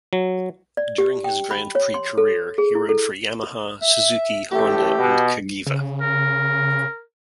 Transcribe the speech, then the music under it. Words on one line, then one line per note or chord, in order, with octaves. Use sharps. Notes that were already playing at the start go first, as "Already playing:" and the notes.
During his Grand Prix career he rode for Yamaha, Suzuki, Honda and Cagiva.
F#3
D5
G4
G5
B5
C#5
C6
A4
G#4
E4
A4
E5
A1 A2 A3 G4
B2
C#3
A#4